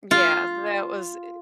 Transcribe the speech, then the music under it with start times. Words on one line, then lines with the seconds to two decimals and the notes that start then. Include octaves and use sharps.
Yeah, that was, i
0.11 F4